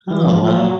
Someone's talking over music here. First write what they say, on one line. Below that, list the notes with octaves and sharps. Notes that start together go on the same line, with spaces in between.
Oh, wow.
E3
F3
F3
F#3